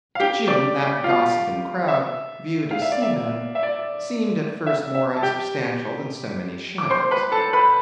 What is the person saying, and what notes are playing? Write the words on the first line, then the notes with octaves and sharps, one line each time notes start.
To Jim that gossiping crowd, viewed as seamen, seemed at first more unsubstantial than so many shadows.
F5
G4 G5
D5 D6
F4 F5
E5
F5
E5
D5
E5
E5
D5
D5
E5
E5
A5
G4 G5
D6
C5 C6
B4 B5
A4 A5
B4 B5